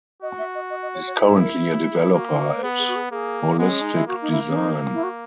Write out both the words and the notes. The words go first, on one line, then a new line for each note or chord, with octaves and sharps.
He is currently a developer at Holistic Design.
F#4 D#5
E5
D#5
D#5
D#5
C#5
C#5
E4 B4
B4
A#4
G#4
G#4
A#3 F#4
E4
F#4
B3 G#4
G#4
F#4
G#4
A#3 G#4
G#3 B3
C#4
D#4
E4
A#3 F#4
D#4
E4
C#4
D#4
E4
F#4